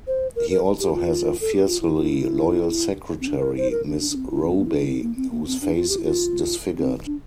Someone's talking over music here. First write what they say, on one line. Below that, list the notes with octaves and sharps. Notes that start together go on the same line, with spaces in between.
He also has a fiercely loyal secretary, Miss Robey, whose face is disfigured.
C5
A#4
A#4
G4
F4
A4
G4
F4
E4
E4
C4
D4
C5
A#4
C5
A#4
D4
D4
D4
C4
E4
C4
A#3
E4
D4
C4
A#3
C4
A#3
C4
D4
F4
G4
E4
F4
C4
D4